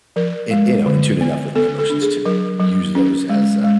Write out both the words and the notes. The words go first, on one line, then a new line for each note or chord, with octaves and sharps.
you you know, in tune enough with my emotions to use those as, uh,
F3 A#4
G#3
D3
B3
B3 A4
A4
D4
G#4
F#3 A#4
F#3
C#4
G#3
G#3